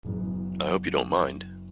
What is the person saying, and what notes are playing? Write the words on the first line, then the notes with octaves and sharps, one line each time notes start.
I hope you don't mind.
F#1 F#2 E3 B3